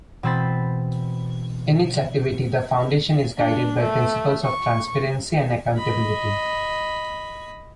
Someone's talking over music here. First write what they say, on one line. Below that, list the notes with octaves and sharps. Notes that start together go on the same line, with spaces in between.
In its activity, the Foundation is guided by principles of transparency and accountability.
B2 E3 C4 C5 B5 A6
D4
A3
C#6
D#5 B5